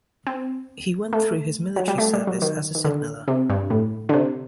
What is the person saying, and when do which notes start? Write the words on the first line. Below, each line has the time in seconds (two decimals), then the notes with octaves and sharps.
He went through his military service as a signaller.
0.27 C4
1.13 A3
1.76 F#3
1.88 G3
1.98 A3
2.13 G3
2.27 F#3
2.42 D#3
2.75 D#3
2.84 D3
3.28 C3
3.50 G2
3.70 A2
4.09 D3
4.13 C3